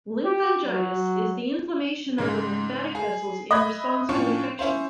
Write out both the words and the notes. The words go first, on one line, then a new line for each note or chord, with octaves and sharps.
Lymphangitis is the inflammation of the lymphatic vessels in response to infection.
G4
F#3
G#2 C#3 G#3
G#4
D#5 E5 B5 F#6 G#6
A2 F3 C#4 D4 F4 C#6
C#4 E4 C5